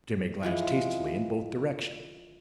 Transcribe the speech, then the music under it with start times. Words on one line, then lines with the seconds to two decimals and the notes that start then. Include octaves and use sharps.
Jimmy glanced hastily in both directions.
0.43 E3 F3 G#3